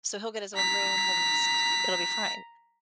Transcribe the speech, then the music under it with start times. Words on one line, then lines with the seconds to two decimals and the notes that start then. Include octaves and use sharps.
So, he'll get his own room, and, s e it'll be fine.
0.56 A#5 B6